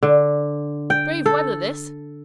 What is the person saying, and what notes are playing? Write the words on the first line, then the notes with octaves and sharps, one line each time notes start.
Brave weather this!
D3
G5
A4